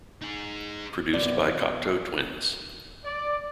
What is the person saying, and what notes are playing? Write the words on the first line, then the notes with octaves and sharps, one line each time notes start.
Produced by Cocteau Twins.
D#4 G#4
F#2 C3 B3 D5
D5